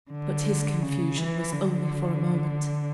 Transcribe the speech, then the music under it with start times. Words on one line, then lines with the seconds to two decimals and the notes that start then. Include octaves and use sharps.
But his confusion was only for a moment.
0.11 D3
0.82 C#3
1.18 E3
1.52 D3